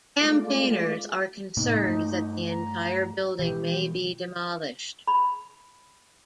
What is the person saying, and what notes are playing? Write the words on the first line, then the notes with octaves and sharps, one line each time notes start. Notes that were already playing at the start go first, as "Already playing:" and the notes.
Campaigners are concerned that the entire building may be demolished.
G#3 A3 F4 D5
A2 C3 A#3 D#4
G2 A3
A#5
B2 E3 G4
B5